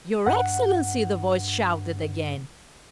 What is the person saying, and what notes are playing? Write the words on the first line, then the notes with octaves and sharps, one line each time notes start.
"Your Excellency!" the voice shouted again.
G2 F#5